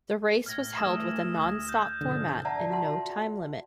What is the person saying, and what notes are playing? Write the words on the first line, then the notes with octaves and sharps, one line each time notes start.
The race was held with a non-stop format and no time limit.
A2 F6 G#6 A#6
E3 A3 D#6 E6 E7
D2
G6
C2 G#2 B2 D3 F3
D5 E5 F#5 A5 A#5
F4 F#4 F#5 A5 C6